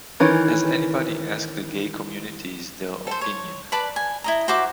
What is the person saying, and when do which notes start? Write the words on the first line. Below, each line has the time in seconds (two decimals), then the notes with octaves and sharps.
Has anybody asked the gay communities their opinion?
0.20 D#3 E3 C#4
3.07 A4 C5
3.21 C#5
3.72 B4 D5 A5 B5
3.96 G#5
4.24 E4 D#5 A#5
4.48 F#4 C5 E5 D6